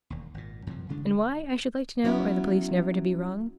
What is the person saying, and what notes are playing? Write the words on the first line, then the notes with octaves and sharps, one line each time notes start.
And why, I should like to know, are the police never to be wrong?
E1 D#2
G#1 A#2
F#2 C3 E3 F3
A1 C#3 G#3 D4
F#3 B3 C#4 E4